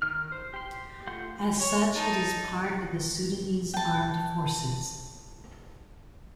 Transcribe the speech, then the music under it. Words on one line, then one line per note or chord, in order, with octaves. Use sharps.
As such it is part of the Sudanese Armed Forces.
D#3 F6
C5
G4 C6
A3 F4 F#5 C6 G6
C#5
D#4 A5
G5 A5